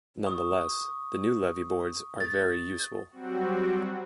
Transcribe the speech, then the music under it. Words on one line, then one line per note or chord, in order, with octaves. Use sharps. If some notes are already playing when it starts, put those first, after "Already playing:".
Nonetheless, the new levee boards are very useful.
C#6 D#6
A6
F#3 G3 C4 F#4